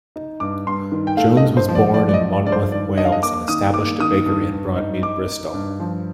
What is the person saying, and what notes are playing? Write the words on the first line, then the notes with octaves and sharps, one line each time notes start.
Jones was born in Monmouth, Wales and established a bakery in Broadmead, Bristol.
D#4
G2 D6
G2 C6
D#3
G5
A3 F5
D#5
G2
C5
F3
D5
F3 D5
D5
D#5
F3
D5
G2 D5
C5
D#3 D5
D4 D#5
F5
D#5
A#3 D6
D#3 D#6
A#3 D6
D#3 D#6
G2
G2
D#4
D#4 D6
D#4
G2
F3